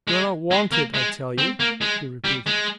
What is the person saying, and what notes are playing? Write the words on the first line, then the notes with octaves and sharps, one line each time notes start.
"You are not wanted, I tell you," he repeated.
G#3
G#3
A#3
G#3
C4
A#3
G#3
G3
G#3